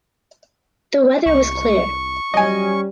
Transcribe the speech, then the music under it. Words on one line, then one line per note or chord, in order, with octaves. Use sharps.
The weather was clear.
C2 C#6
F#3 G3 C#4 D#5 G#5